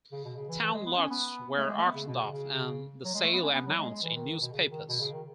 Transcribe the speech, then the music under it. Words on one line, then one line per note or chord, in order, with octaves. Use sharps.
Town lots were auctioned off, and the sale announced in newspapers.
C#3
B2
C#3
E3
E3
G#3
B3
C#4
B3
A3
G#3
A3
B3
C#3
B2
C#3
C#3
F#3
G#3
A3
B3
C#4
B3
F#3
G#3
G#3
E3
D#3
B2
C#3
D#3
B2
C#3
D#3